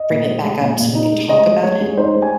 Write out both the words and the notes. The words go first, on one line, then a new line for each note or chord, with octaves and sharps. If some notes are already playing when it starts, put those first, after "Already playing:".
bring it back up so we could talk about it
Already playing: D#5
A#2
G#3
G#3
A#2
A#2
D#4
G#3
G#3 D#5
G#3
G#3 C#5
G#3
D#4 C5
G#3
G#5